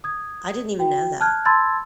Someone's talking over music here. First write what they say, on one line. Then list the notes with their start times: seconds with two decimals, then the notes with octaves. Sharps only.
I didn't even know that.
0.04 D#6 G#6
0.79 F#4 G5
1.20 A5 F6 F#6 G#6
1.45 A5 B5 C6 E6 G#6 A6